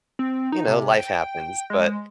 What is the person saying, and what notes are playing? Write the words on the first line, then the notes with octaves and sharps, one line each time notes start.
you know, life happens, but
C4
D#4
C3
G5
G#3